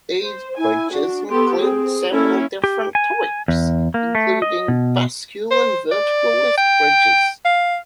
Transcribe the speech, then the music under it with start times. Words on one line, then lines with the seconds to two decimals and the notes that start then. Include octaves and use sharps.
These bridges include several different types, including bascule and vertical lift bridges.
0.24 C5
0.58 E4 G#5
0.92 D4 F#4
1.30 B3 G4 A4 C6
1.60 C4 G#4
2.11 A#3 C#4 E4 A4
2.64 G4
2.95 G#5
3.48 E2
3.94 A#3
4.15 A3
4.42 D#5
4.68 B2
5.51 C5
5.91 D5
6.57 G5
7.45 F5